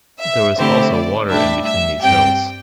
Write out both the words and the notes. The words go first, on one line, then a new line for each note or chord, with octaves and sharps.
There was also water in between these hills.
E5
D3 A3 C4 E4 G4 C5
D5
A2 G3 D4 E5
E5
G2 G3 C4 G4 G5